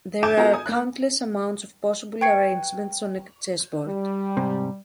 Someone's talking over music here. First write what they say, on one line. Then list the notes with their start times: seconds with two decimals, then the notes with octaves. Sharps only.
There are countless amounts of possible arrangements on a chessboard.
0.23 G#5 A5 D6 G6 D7 E7
0.37 B3 F4 F#4 A4 E5 A#5
0.54 G#5 D#6
0.66 A#3 F#6
2.21 B4 G5 C#6 G#6 C7 C#7
3.87 G3
4.37 G#2 C3